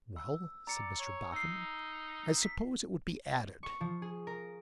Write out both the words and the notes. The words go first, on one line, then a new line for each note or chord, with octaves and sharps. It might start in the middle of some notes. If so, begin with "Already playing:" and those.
'Well,' said Mr Boffin, 'I suppose it would be added.'
E6
D5 A#5 C#7
C#5
D#4 E6 C7
B6
C#6
F3
G#4
A#4